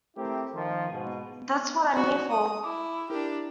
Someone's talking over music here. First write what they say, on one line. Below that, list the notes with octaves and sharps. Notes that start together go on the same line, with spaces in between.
That's what I'm here for.
A3 C4 E4 G4 A#4
D#3 F3
G#2 B2
D#4 F#4 D5
D#6
E4 D6
D4 E4 G4 A#4